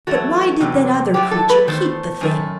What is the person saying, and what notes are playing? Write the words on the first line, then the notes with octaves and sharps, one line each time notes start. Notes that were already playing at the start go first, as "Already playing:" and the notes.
But why did that other creature keep the thing?
E2 D#3 F#3 A3 F#4
E2 C3 F#3
F#2 F#3 A3 G4
A4
B4
E2 D#3 A3 C5
F#2 D#3 A3